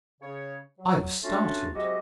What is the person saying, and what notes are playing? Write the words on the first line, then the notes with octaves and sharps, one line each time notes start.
I was startled.
C#3 C#5
F#3
A3 C#4 D4 F4 F#4
G#2 C3 F#3 F#4 G4 D#5